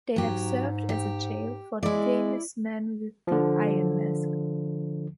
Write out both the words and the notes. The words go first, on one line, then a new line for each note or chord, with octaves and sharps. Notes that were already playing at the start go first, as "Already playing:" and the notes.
They have served as a jail for the famous man with the iron mask.
G#2 F#3 G4
G4
G#3 E4 D5
D3 F3